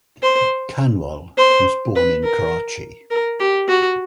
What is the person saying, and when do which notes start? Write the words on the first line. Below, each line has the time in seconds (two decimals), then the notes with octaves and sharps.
Kanwal was born in Karachi.
0.23 C5
1.38 C5
1.96 B4
2.24 A#4
3.11 A#4
3.40 G4
3.68 F#4